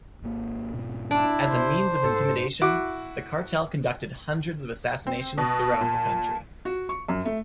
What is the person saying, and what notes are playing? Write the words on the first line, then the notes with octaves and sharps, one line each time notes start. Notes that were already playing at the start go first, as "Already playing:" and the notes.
As a means of intimidation, the cartel conducted hundreds of assassinations throughout the country.
G#1 A#3
G#2 B2
D4 E4
C3 C5
G#2 A4
E4 F#4 D6
C4
B2 A5
A#2
F#4
C#6
F#2
A3